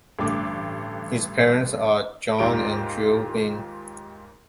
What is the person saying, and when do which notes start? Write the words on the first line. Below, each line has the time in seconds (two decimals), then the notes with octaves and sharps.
His parents are John and Jill Bean.
0.19 A1 G2 D3 A3 G4 D6
2.39 D#2 G#2 F4 G4 A#5 D7